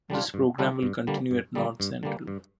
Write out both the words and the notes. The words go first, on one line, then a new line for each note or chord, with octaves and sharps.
This program will continue at North Central.
D3 G3 D4 F4
G2
D3 G3 D4 F4
G2
D3 G3 A#3
G2
D3 G3 A#3
G2
D3 G3 A#3
G2